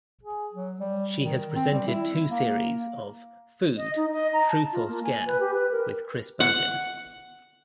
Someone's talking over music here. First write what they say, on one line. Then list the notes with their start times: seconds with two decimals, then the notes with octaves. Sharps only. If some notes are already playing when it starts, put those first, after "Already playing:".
She has presented two series of "Food: Truth or Scare" with Chris Bavin.
0.23 G#4
0.53 F#3
0.80 G3
1.23 D#3
1.56 C4
1.72 G3
1.87 E4
2.30 A#3
3.77 D#5
3.96 D#4
4.12 D#5
4.33 A#5
4.48 A5
4.73 F4
4.88 A#3
5.04 G#5
5.26 B4
5.40 G4
5.54 B4
5.71 A#4
6.40 F#5